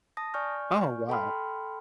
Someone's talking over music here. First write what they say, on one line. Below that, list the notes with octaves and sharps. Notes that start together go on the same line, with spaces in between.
Oh, wow.
A5 D#6 A#6
D5 G#5 C#6 F6 G6
A4 G5 A5 B5 C6 F6